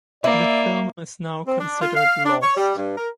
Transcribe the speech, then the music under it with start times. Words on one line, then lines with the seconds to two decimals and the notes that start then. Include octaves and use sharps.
The film is now considered lost.
0.24 A#3 E4 D5
1.46 C4
1.59 D4
1.81 F4
1.95 F5
2.24 D4
2.42 C#5
2.56 G3
2.76 G2
2.97 A#4